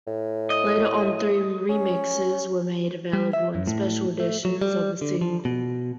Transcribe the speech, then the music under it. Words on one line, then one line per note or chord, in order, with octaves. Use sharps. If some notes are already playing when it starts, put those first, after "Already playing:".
Later on three remixes were made available in special editions of the single.
A2
D#5
C#4
G3
E5
F#2
A2
A3
F#3
G3
D3
F3
B2